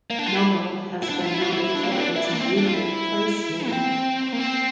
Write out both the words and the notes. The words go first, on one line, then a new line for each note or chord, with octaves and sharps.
Nogo has been noted for its unusual place name.
A#3
D4
F4
E4
E4
D4
E4
F4
E4
F4
E4
E4
D4
A#3
C4
D4
E4
D4
A#3
C4
D4
F4
E4
A#3
C4
A#3
C4